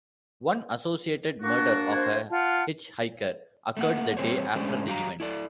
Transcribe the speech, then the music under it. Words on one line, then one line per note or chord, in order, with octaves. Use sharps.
One "associated" murder of a hitchhiker occurred the day after the event.
A#3 D4 F#4
C5 F5 G#6
F4 F#5 A5
A3 A#3 F#5
G3 G#3 C4 G#4 C5 C#5
G#3 A3 C#4 D4 G4 C5
F#3 G4 F5 A#5
E4 A4 D5